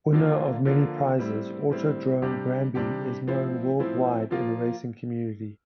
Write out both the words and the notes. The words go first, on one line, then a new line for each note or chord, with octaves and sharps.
Winner of many prizes Autodrome Granby is known worldwide in the racing community.
D3 F3 A#3 F4
D3 F3 A#3 F4
A2 G3 C4 E4
A2 G3 C4 E4
C3 G3 D4 G4
C3 G3 D4 G4
A2 F3 C4 E4
A2 F3 C4 E4
F3 A#3 F4